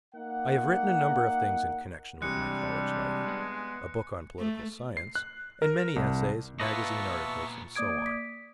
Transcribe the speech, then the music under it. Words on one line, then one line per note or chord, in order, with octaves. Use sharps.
I have written a number of things in connection with my college life--a book on Political Science, and many essays, magazine articles, and so on.
A#3 D#4 F#5
C3 E3 G3 G#3 D4 F#6 C#7
B3 G#4
A3
C7
F#6
A#4
C2
A#2 B3 F4 B4 D#5 E5 A5 C#6
A#3 D5 D6 D#6 G#6 D7
B6